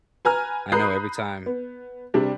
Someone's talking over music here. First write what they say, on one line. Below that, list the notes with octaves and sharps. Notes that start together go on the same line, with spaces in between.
I know every time
B4 G#5 A#5 F6
A#5 B5 D#6 F#6 G6 C7
B3
C3 G3 D4